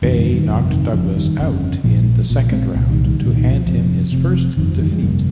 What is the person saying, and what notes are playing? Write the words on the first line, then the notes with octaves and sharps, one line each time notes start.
Bey knocked Douglas out in the second round to hand him his first defeat.
G1 F2 C3 D#3 G3
D#3 G3
D#3 G3
G1 F2 C3 F3
D#3
G1 F2 C#3 F3
D#3 G3
G1 F2 C#3
A#1 A#2 F3 G#3
A#1 A#2
G#3 C4
C2 A#2
D#3 G3
D#3 G3
C2 A#2 D#3 G3
D#3
F3
F1 F2 C3 F3
F1 F2 C3
G1 F2 C3 D#3
F3
D#3 G3
F3 G#3
G1 F2 C3 G3 A#3